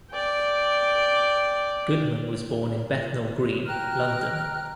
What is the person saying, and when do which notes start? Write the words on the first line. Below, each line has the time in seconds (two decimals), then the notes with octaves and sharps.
Goodman was born in Bethnal Green, London.
0.11 D5 G5
3.67 G5 A#5 F6 F#6